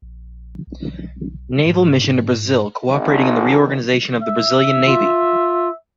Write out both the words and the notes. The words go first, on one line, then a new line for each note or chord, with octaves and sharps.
Naval Mission to Brazil, cooperating in the reorganization of the Brazilian Navy.
A#1
B1
G#2
G#1
E5
F4